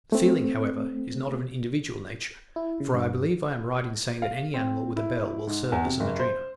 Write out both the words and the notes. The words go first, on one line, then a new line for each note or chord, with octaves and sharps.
The feeling, however, is not of an individual nature; for I believe I am right in saying that any animal with a bell will serve as a madrina.
A3 C4
E4
C#3
G2
F5
C4
E4
G#2
E2
C3
F#1
C5